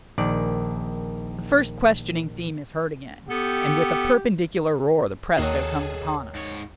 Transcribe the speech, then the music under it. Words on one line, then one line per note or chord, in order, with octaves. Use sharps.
The first questioning theme is heard again, and with a perpendicular roar the presto comes upon us.
A#1 D#3 D5
B3 G4 A4
D#2 D#3 F#3 G#4 A4
G#2 C#5